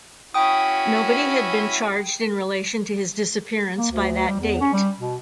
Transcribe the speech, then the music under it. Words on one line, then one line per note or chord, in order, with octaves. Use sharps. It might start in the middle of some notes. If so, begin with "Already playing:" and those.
Nobody had been charged in relation to his disappearance by that date.
C#4 E4 F#4 G5 D#6
A#3
D2
G3
E2
C#4
G3
B2